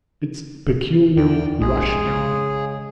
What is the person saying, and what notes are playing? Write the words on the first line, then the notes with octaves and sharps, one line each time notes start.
It's peculiarly Russian.
E2 D5 G5
A#1 G#3 G#4
C#3